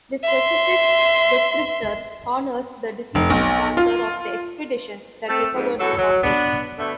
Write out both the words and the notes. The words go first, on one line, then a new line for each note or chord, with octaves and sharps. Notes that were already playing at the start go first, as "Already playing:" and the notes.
The specific descriptor honours the deceased sponsor of the expeditions that recovered the fossil.
E5 C6
F1
B1
F4
A3 C4 A4
F2 G#2
E2 F#3 F#4 A4
F#3
B3 D4
B2 D3 A3